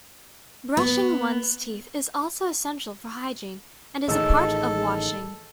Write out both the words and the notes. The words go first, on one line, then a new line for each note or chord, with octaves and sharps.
Brushing one's teeth is also essential for hygiene and is a part of washing.
B3
A1 A2 D#3 G#4 A4 D#5 E6